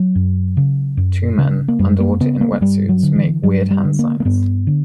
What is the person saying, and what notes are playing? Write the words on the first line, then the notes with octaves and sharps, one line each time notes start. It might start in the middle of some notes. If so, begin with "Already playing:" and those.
Two men, underwater in wetsuits make weird hand signs.
Already playing: F#3
F#2
C#3
F#2
C#3
A#3
F#2 G3
A#3
C#3 B3
A#3
A#3
G2 G3
F#3
D3
E3
G2 F#3
G3
D3
A#3
A#3
G2 B3
D3